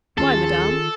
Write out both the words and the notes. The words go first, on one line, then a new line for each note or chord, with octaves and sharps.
"Why, madame?"
D#2 D#3 C#4 F4 G#4 A4 A5